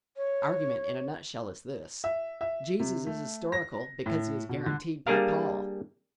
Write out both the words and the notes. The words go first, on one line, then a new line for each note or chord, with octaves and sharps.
The argument in a nutshell is this: Jesus is historical because he is guaranteed by Paul.
C#5
E5
E5
C3
A3
A#6
A2
B2
D3
G3 A#3 D4 G#4 A#4 F5